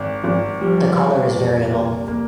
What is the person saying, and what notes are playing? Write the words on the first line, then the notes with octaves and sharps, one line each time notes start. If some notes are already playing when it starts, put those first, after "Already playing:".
The colour is variable.
Already playing: G#1
G#1 F3
F3 G3
G3
F1
A#3
A#3